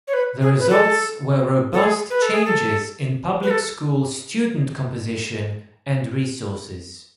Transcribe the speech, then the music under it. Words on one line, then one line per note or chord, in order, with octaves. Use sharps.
The results were robust changes in public school student composition and resources.
C#5
B4
G#4
B4
A4
A4
G#4
B4
A4
G#4
A4
B4
A4